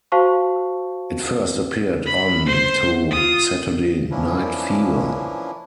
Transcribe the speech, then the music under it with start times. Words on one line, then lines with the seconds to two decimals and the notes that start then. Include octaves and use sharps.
It first appeared on to "Saturday Night Fever".
0.12 F#4 C5 F5 A5 C#6
2.06 B5
2.46 C5 C6
3.11 F4 D#6
4.11 E3 F3 A#3 C#4 D4 E4